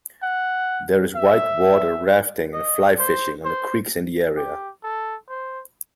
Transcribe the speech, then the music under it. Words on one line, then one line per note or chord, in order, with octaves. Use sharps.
There is white water rafting and fly fishing on the creeks in the area.
F#5
E5
D#5
C5
C5
G4
A4
C5